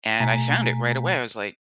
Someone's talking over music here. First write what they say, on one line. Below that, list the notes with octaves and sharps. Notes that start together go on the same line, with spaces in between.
and I found it right away. I was like,
B2 A3 G#5 A#5 B6